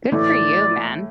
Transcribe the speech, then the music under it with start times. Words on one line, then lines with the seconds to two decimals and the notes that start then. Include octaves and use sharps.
Good for you, man,
0.12 A2 E3 A3 D5